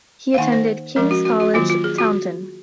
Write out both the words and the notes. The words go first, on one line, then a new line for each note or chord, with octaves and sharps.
He attended King's College, Taunton.
F5
D#3 A#3 D#4 F#5
C5
F3 G#3 C#4 A#4
F#4
F#4
F#4
D#3 F#3 A#3 F4
F4
G#4
F#4